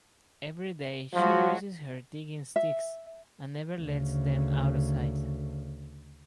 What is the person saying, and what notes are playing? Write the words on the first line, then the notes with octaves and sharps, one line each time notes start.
Every day she greases her digging-sticks and never lets them out of sight.
F3 F#3 G#3 F#4
E5
D2 C#3